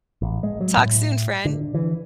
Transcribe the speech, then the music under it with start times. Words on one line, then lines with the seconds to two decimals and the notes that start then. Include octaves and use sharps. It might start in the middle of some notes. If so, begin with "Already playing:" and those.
Talk soon, friend.
0.22 A1
0.43 G#3
0.61 F#3
0.77 A2
1.45 D3
1.74 E3